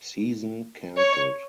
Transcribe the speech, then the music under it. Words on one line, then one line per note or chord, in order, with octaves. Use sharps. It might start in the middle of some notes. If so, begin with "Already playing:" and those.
Season canceled.
C#5